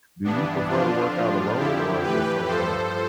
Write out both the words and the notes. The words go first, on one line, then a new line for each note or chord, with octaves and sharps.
do you prefer to work out alone or with someone else?
G2 E3 B3 D4
F2 D3 F3 D4 F4
A2 F3
F2 D3 F3 E4 G4
A2 E3 G4 B4
G2 F3 A4 C5